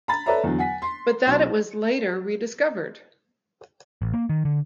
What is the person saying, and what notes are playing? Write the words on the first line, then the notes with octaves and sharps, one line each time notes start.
But that it was later rediscovered.
A#5 B5 A6
A4 B4 C#5 D5 E5 A#5
E2 D3 F#3
F#5 G#5 B6
C6
B1
A1
A#3
D#3
D3